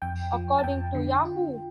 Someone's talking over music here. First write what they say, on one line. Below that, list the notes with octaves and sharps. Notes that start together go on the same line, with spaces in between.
According to Yahoo!
F2 G5
F3
A5
F2 G5
D3
F4